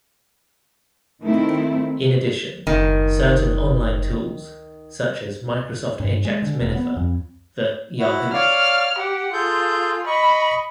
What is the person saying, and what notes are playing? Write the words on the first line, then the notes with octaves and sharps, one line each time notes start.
In addition, certain online tools, such as Microsoft Ajax Minifier, the Yahoo!
D#3 A3 C4 E4
F#1 D#3
G2
G#3
D3
E1
B3
F2
E4 F#4
C#5 D5 F5 F6
G4 F#5
F4 G#4 A4 G6
D#5 B5 C#6